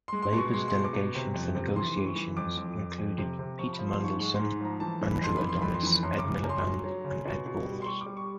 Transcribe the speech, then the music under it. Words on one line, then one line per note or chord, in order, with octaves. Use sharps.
Labour's delegation for negotiations included Peter Mandelson, Andrew Adonis, Ed Miliband, and Ed Balls.
G#3 C6
C6
B2
C#6
G#3 C6
C6
B2
D6
B2
C3
F2
C3
E3 C6
E3
C#6
E3
F2 D6
F2
F2
F2
C3
C3
F3 C#6
B5
F3
C6
G#2 C#6
G#3 C#6
C6
G#2
F3 A#5
E3 A5
E3
B5
F2 C6
E3 B5
C6
F2 B5
C6
E3 B5
F#2 C6
D6
C#3
F#2
C6
F#3
F#3
C#3
B2
B2
G3
C6
G3 C#6
D6
G3
C#6